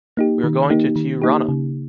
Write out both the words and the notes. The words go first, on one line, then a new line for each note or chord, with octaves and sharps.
We are going to Tiurana.
A#3 D#4 G4
D#3
A#3 D#4 G4
D#3
A#3 D#4 G4
C#3